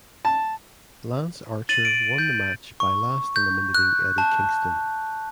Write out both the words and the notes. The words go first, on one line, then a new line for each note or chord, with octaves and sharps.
Lance Archer won the match by last eliminating Eddie Kingston.
A5
A6 D#7 F#7
D7
G6
C#6
G6
F#6
A5